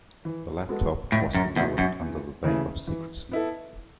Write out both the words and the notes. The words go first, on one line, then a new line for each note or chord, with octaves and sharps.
The laptop was developed under the veil of secrecy.
E3
G#3 B3 F#4 A4
C#2 A2
F#2
E2 B2 A3 D#4
F#2
E2
C#3 E3 A3 E4
E3
B3 E4 A4